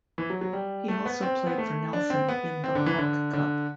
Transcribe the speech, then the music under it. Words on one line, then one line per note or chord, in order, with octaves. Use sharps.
He also played for Nelson in the Hawke Cup.
E3
F#3
F#3
G3
A3
B3
C4
B3
A3
D4
C4
B3
C4
D3
E3
D3
D3